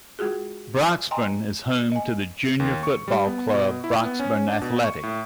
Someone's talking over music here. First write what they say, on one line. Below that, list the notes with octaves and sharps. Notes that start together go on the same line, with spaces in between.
Broxburn is home to the junior football club Broxburn Athletic.
G#3 F4 F#4 G#4
D#5 G5 G#5 A#5 C6
D#5 G#5
D#2
C#6
G3
B3
B2
E4
B3
C#4
D4
B2
C#6
A2